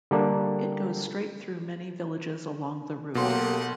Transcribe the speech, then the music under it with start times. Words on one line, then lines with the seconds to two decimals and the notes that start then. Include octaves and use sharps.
It goes straight through many villages along the route.
0.11 D3 G3 A#3 D4
3.15 B2 F#3 A#3 G4 A4 F#5 C6